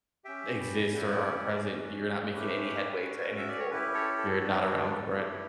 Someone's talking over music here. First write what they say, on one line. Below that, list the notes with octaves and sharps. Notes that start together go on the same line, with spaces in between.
exist or aren't present, you're not making any headway to any goal. You're not around for it.
C#4 G4 E5 G5
G5 B5
C#4 E4 G4 D5 F#5
C#4 F#4
A3 C#4 G4 B4
C#4 F#4
E5
D5
C#5
C#4 E4 G4 B4
A4 C#5
A4
B3 D4 F#4
A3 E4 G4